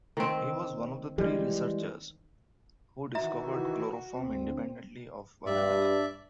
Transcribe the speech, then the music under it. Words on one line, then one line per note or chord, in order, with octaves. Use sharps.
He was one of three researchers who discovered chloroform independently of one another.
D#3 C4
E3 G3 G#3
D#3 E3 F#4 E5 A#5
D2 C4
G2 D5 E5